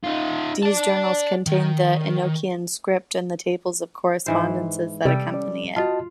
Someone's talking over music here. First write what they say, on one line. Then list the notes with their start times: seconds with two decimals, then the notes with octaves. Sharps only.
Dee's journals contained the Enochian script, and the tables of correspondences that accompany it.
0.04 D#4 F4
0.63 D5 A5
1.47 D#3
4.26 G#2 E3 C5
5.05 C3 G3 A4 G5
5.32 C#4 D5
5.76 F4 F#4 D#5 A5